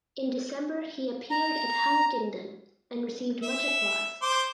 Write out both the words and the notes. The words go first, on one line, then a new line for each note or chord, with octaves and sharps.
In December he appeared at Huntingdon and received much applause.
A#5
E5
C5 C6 D6